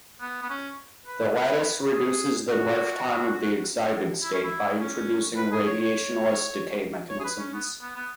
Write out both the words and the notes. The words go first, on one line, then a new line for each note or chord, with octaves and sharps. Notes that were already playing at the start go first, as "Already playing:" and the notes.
The lattice reduces the lifetime of the excited state by introducing radiationless decay mechanisms.
B3
B3
C#4
B4
B4
G#4
F#4
E4
C#4
E4
C#4
B4
G#4
C#5
C#5
C#5
G#4
B4
C#4
B3
B3
B3